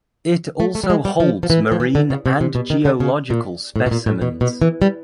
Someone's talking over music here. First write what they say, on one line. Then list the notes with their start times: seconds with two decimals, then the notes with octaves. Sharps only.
It also holds marine and geological specimens.
0.60 A3
0.75 A3
0.84 G3
0.90 G#3
1.05 G3
1.20 F3
1.43 F3
1.50 E3
1.72 F3
1.80 E3
1.95 D3
2.10 C#3
2.26 C3
2.41 C3
2.55 B2
2.70 D#3
2.85 D3
3.00 C#3
3.30 A#2
3.76 A2
3.86 B2
3.91 A#2
4.06 A2
4.22 B2
4.41 B2
4.62 E3
4.82 G3